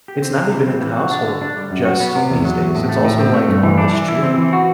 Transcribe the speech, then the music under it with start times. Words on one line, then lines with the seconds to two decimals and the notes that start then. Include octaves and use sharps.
It's not even in the household, just these days, it's also, like, on the street.
0.08 G4
0.22 C4
0.37 C3
0.53 E3
0.67 C4
0.82 E3
0.97 F#4
1.11 D4
1.27 D3
1.41 D4
1.57 G3
1.71 F#2
1.85 F#4
2.00 B3
2.15 C3
2.30 E2
2.45 F#3
2.60 E2
2.75 A2
2.89 A3
3.05 A2
3.19 C4
3.34 A3
3.48 G2
3.63 E3
3.78 D4
3.93 E3
4.08 E4
4.23 C4
4.38 E3
4.53 F#4